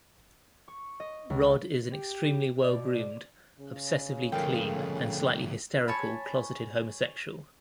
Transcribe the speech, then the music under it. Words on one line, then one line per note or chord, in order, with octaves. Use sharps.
Rod is an extremely well-groomed, obsessively clean, and slightly hysterical closeted homosexual.
C#6
D#5
C#2
G4
B2 D5
C#3
D2 F3 A4 A#4 F5 G5
C#5 G#5 A5 B5